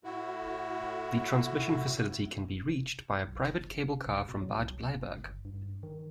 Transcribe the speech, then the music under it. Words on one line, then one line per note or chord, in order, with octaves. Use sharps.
The transmission facility can be reached by a private cable car from Bad Bleiberg.
A2 E4 F#4
B1
F#1
C#3
B1
B2
F#3
C2
F#1
G1
G2
D#3